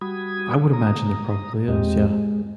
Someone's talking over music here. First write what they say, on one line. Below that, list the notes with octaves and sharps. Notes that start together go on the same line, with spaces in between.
I would imagine there probably is, yeah.
G3 F#4 B5 D#6 G#6
A#5 D#6
E2 G#3 C4 G4 D#5
G#3